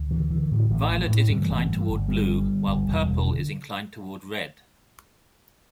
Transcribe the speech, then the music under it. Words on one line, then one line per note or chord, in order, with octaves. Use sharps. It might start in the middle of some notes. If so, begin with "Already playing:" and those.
Violet is inclined toward blue, while purple is inclined toward red.
Already playing: D2
D3 E3
D3 E3
A2
A1
A1
A2
G2 D3 G3
E3 A3
G1
E3 A3
G2
G1
G1 G3 B3
D3
D3
G1
E1
E1
D3